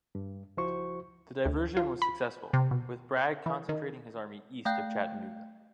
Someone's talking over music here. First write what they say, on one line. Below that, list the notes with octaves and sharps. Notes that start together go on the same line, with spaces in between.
The diversion was successful, with Bragg concentrating his army east of Chattanooga.
G2
C#2 F3 E4 F#4 C5 C#6
D2
F4
B5
C3
B2
E3
D#3
A3 F5 G5 F#6 G6